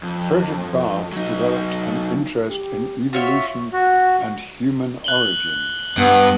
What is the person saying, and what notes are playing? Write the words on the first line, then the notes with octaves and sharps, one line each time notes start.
Fredrik Barth developed an interest in evolution and human origins.
F2
F#3 D#4
G4
F4 F#4 C#5 E5
F#4
F#6 F#7 G7
G2 B3